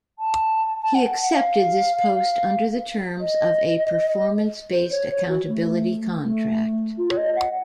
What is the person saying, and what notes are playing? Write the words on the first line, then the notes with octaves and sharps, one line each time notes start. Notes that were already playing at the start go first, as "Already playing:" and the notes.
He accepted this post under the terms of a performance-based accountability contract.
A5
A5
F#5
F#5
F5
D#5
C5
C#5
C#5
F#4
A3
A3
F4
C#5
D#5
F#5